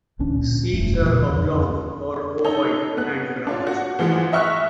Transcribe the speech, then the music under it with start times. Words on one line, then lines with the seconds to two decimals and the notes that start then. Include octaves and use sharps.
Seeds are oblong or ovoid and brown.
0.19 A1 D2 C#4 D4
0.35 A#2
0.73 E1 F#2 G3 A3
1.02 A#2 C#3 E3 F3
1.19 D#2 D3 F3
1.36 F2 D3
2.44 D#4 A4 C#5
2.97 B3 F#6
3.47 D4 F4 C#5
3.67 F#4
3.99 E3 F3 G#3 F#5
4.32 D#5 E5 C#6 F6 F#6